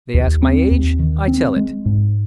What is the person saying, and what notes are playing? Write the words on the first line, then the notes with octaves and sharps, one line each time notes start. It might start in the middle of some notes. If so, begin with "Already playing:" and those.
They ask my age; I tell it.
D#2
C4
D#2
D#3
C4
G#3
G#2